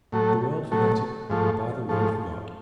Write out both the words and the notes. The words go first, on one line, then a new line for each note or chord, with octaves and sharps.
"The world forgetting, by the world forgot."
A2 F#3 A3
A2 F#3 A3
G#2 F3 A3
G#2 F3 A3